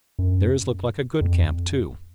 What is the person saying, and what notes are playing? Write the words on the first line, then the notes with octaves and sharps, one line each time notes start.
Theirs looked like a good camp, too.
F#2
F2